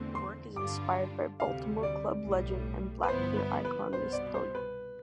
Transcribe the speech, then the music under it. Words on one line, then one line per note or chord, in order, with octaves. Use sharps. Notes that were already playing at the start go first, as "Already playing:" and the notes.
Their work is inspired by Baltimore Club legend and black queer icon Miss Tony.
Already playing: E2 D3 A3 C4
C6
G2 D3 G3 D4 F4 D6
D2 C3 G3 F5
D5
B1 A2 G3
B4
G1 G2 F3 B3 E4 C5
B4
B4
C2 B2 B3 C5
D5
C5
B4